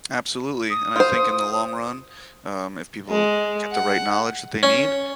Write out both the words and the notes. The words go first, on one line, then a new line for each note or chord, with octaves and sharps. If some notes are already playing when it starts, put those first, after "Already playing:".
Absolutely, and I think in the long run, um, if people get the right knowledge that they need,
D#6
F4 C5
G#3
F#5
C#4